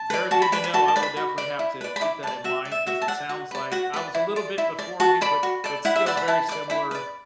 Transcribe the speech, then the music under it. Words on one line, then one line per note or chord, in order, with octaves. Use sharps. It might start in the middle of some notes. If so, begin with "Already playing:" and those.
Very good to know, I will definitely have to keep that in mind 'cause it sounds like I was a little bit before you, but but still very similar.
Already playing: A5
B4 D5
F#4 A5
B5
B4 D5 B5
B5
F#4 A5
A5
B4 D5
B5
F#4
B4 D5
E4
B4 D5
B5
E4 D6
B4 D5 A5
F#4 E5
D5
E5
F#4 E5
A5
D5 F#5
F#4
B4 D5
F#4 F#5
B4 D5
E4
D5
E4
D5
F#4 A5
A4 D5 B5
F#4
A4 D5
E4 F#5
E5
B4 D5 F#5
B5
E4 A5
B4 D5 D6
E4 B5
B4 D5